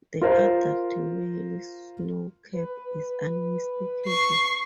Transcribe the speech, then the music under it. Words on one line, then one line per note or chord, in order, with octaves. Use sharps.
The adult male snowcap is unmistakable.
F4 A#4 C5
B4
C#6 C7